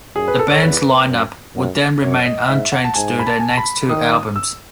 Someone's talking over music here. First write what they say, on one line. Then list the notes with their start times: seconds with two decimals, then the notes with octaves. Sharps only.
The band's lineup would then remain unchanged through their next two albums.
0.16 F#2 G#4
0.28 B4
0.39 A4
0.51 C#5
0.62 E2 B4
0.85 B4
1.08 F#2
1.55 F#2
2.02 F#2 C#5
2.25 D#5
2.49 G#2 E5
2.72 F#5
2.84 A5
2.95 G#2 G#5
3.19 B5
3.26 A5
3.40 G#5
3.49 A5
3.57 B5
3.89 D#3 D#6
4.12 D#6
4.36 E6